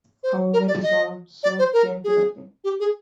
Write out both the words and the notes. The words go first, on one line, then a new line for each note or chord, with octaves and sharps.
However, this also came to nothing.
C5
A#4
D5
D#5
D5
C5
A#4
G#4
G4
G#4